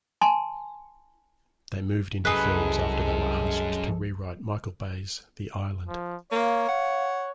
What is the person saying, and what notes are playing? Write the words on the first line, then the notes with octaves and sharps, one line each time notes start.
They moved into films after they were asked to rewrite Michael Bay's The Island.
G#5 A5 C6
C2 F#2 G#3 G#4 A4 B4
F3
A#3 C#5 F5
F#5